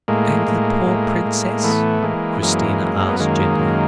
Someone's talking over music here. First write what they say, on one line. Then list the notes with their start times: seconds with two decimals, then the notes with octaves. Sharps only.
"And the poor princess?" Christina asked gently.
0.08 A2 G#3 A#3
0.47 A2
0.87 A2
1.25 A2
1.64 E3 A3 B3
2.03 E3 G#3 A#3
2.42 F#2 G#3 A#3
2.81 F#2
3.08 B3
3.20 D#3 G#3 A#3
3.59 F#2